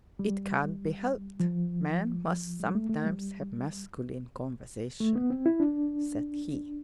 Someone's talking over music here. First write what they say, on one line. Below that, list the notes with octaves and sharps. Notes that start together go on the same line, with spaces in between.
"It can't be helped: men must sometimes have masculine conversation," said he.
G3
F3
G3
A3
A3
G3
A3
B3
C4
E4
D4